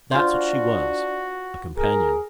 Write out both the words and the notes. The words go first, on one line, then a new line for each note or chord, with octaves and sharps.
That's what she was,--a companion.
D4 F4 F#4 C5
G#4 A#4